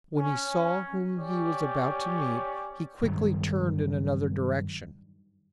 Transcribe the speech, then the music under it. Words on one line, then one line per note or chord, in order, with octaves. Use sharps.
When he saw whom he was about to meet, he quickly turned in another direction.
C#4
C#4 G4 C#5 D5
G2 D#3 F#3